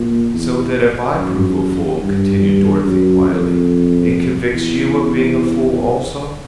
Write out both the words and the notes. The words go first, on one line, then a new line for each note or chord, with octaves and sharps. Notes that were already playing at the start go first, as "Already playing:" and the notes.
"So that if I prove a fool," continued Dorothy quietly, "it convicts you of being a fool also."
Already playing: A#2
E2
F#2
G2
F#2
F2
E2